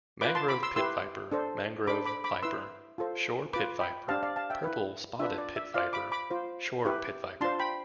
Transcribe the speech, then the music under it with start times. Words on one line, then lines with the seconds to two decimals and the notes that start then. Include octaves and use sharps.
Mangrove pit viper, mangrove viper, shore pit viper, purple-spotted pit viper, shore pitviper.
0.21 F4 B4 B5 D6
0.35 A5 C6
0.48 B5 D6
0.63 C6 E6
0.76 E4 G4 B4 C6 E6
1.32 D4 A4 C5
1.87 D4 A4 C5 B5 D6
2.05 B5 D6
2.24 B5 D6
2.42 E4 B4 C6 E6
2.98 F4 A4 C5
3.53 F4 B4 B5 D6
3.81 G5 B5
4.08 D4 G4 C5 F5 A5
4.23 D5 F5
4.36 F5 A5
4.50 E5 G5
4.64 E4 B4
5.20 D4 F4 B4 E5
5.38 D5
5.56 E5
5.74 F4 C5 D5 F5
5.93 B5 D6
6.12 B5 D6
6.30 F4 C5
6.85 E4 G4 B4
7.41 D4 F4 C5 A5 C6
7.59 G5 B5